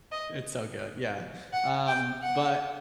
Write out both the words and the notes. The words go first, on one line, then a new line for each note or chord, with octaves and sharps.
it's so good, yeah. Um, but
D#5
F#5
G5
F#5